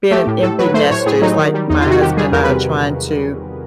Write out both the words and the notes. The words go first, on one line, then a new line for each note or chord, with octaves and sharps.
being an empty nester, it's like my husband and I are trying to
A3 G4
A2
A2 A4
F#3 B4
A3 C5
A2 C#5
A2 G#4
F#3 D#4
D#3
G3
E2 D#4
F4
C3 F#4
D#3 G4
G3 G#4
E2 A#4
B4
C3